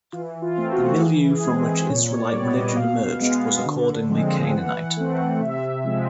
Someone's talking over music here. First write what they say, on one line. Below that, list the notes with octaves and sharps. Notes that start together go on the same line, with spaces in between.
The milieu from which Israelite religion emerged was accordingly Canaanite.
E3 F4
F4
A3 C4
F#4
E3 G#4
G#4
G#3 C4
G#4
A#2 C#5
C#5
D5
G3 B3
D#5
B2 F5
G#3 B3
D3
F3 G#3 C4
E3 F#5
A3 C4
C3 E5
F3 G#3 C4